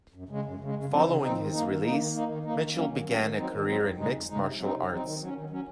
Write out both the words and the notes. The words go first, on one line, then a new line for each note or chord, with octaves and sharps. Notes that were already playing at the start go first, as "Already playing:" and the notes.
Following his release, Mitchell began a career in mixed martial arts.
F#2
C#3 G#3
F#2
C#3 G#3
C#3
F3 C4 D#4
C#3
F3 C4 D#4
D#3
A#3 D#4
D#3
A#3 D#4
D#3
A#3 D#4
D#3
A#3 D#4
D#3
F#3 A#3 C#4
D#3
F#3 A#3 C#4
D#3
F#3 C4 D#4
D#3
F#3 C4 D#4
F2
C#3 G#3 D#4
F2
C#3 G#3 D#4
C3
F#3 C4 D#4
C3
F#3 C4 D#4
D#3
F#3 C#4
D#3
F#3 C#4